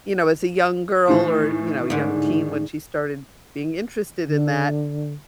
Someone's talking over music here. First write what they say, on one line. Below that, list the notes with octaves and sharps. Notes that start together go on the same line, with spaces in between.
you know, as a young girl, or, you know, a young teen, when she started being interested in that,
A2 D#3 E3
G#2 D3
D3